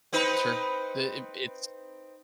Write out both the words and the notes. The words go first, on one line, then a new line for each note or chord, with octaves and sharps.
Sure, it it it's,
C4 D#4 B4